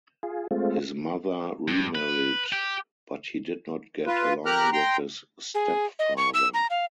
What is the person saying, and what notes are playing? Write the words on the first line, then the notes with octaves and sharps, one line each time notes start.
His mother remarried, but he did not get along with his stepfather.
F4 G#4
G#3 A3 C4 F4
G2
B4
G4
F4 B4
G4 A#4 A#5 F6 F#6
G5 A#5 C6
G#4
D#5
C#6
E6
A#5
F5